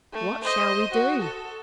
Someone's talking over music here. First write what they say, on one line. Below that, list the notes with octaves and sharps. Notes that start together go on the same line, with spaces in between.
What shall we do?
A3
C5 D#5
F#4
A4